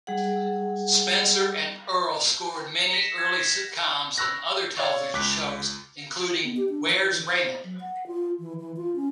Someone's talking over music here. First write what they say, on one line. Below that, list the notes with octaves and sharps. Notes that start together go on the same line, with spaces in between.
Spencer and Earle scored many early sitcoms and other television shows, including Where's Raymond?
G3 G#4 F#5
A#6 B6 C#7 E7
G#6
B5 C#6 E6 F#6 A#6
C#5 D5 F5 C#6
C#2 D6 F#6 B6
B3
G4
D4
E3
C5
F#3
F#5
F4
E3
E3
F4
C#4